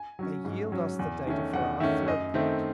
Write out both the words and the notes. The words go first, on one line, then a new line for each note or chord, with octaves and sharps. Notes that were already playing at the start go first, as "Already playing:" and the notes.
They yield us the data for our third point.
Already playing: G#5
F#3 C#4
G#2
F#3 C#4
E2
D#3 A3 C#4
E2 F#5
D#3 A3 C#4 E5
F#2 D#5
D#3 A3 C4